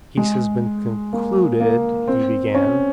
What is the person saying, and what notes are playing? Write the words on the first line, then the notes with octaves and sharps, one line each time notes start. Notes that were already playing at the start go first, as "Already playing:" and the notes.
"Peace has been concluded..." he began.
G#3
A#3
A#3
C4
C#4